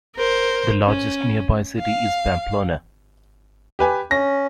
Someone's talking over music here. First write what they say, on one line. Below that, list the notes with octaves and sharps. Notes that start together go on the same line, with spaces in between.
The largest nearby city is Pamplona.
A#4 C5
C#4
F5
G4 B4 G#5
C#4 A#6